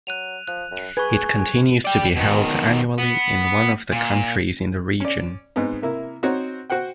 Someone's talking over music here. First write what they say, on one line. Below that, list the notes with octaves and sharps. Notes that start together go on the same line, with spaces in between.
It continues to be held annually in one of the countries in the region.
F#3 F#6 D#7 F7
F3 F#6
F#2
G#4 B4 C#6 G#6
G#5
D5 G5
B2 D#3
B3
A#2
C#4 D5
G#2 B3 C4 D#4
C3 A#3 E4
C4 D#4 F#4 C5 C#5
F#4 C5 F#5 G5